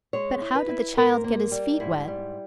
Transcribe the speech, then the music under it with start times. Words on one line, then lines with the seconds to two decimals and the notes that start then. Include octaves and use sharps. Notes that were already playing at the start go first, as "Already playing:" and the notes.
"But how did the child get his feet wet?"
0.13 G#3 C#5
0.42 E4
0.55 B4
0.69 E4
0.97 G#2 A#4
1.24 A#3
1.52 G3
1.80 G#2 E4
2.08 G3